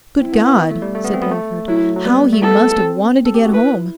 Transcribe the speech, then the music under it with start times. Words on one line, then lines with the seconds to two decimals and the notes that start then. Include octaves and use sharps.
Good God!' said Lawford, 'how he must have wanted to get home!
0.21 C4 E4
0.33 B3
0.45 B3
0.58 B3
0.70 A3
0.82 G3
0.95 A3
1.05 B3
1.14 C4
1.22 B3
1.31 A3
1.68 F#3 E4
1.96 F#3
2.05 G3 B3
2.33 A3
2.43 B3 A4
2.79 C4
3.26 A4
3.34 G4
3.44 F#4
3.53 E4 B4